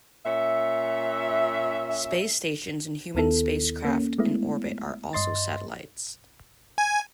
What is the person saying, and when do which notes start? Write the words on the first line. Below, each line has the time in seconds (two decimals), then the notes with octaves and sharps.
Space stations and human spacecraft in orbit are also satellites.
0.25 A#2 C#4 E5
3.15 D#2 D#3 B3 E4 A4
3.85 A#3 C#4
4.18 G#3 A3 B3 E4
5.13 G2 D#5 C6 A6
6.78 G#5